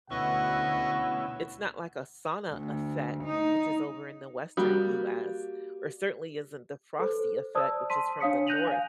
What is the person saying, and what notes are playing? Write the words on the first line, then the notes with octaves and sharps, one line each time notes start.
it's not like a sauna effect, which is over in the Western US, or certainly isn't the frosty effect, which is from the North,
D2 B2 C#4 E4 B4 D#5 F#5 C#6
D2
D#4
G3 A#3 F#4
A4 B4 C5
C5 D5 A5 D#6 E6
A5 C6 B6 D#7
D4 C#5 F5 D#6 B6 C#7
F#6 G6 A#6 D#7 F7 F#7
F5 G#5